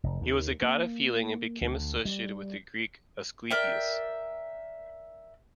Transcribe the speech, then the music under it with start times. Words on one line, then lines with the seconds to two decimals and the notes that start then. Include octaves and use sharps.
He was a god of healing, and became associated with the Greek Asclepius.
0.03 F1
0.21 D#2
0.62 A#3
1.61 D2
2.05 G3
3.50 A#4 D5 E5 G5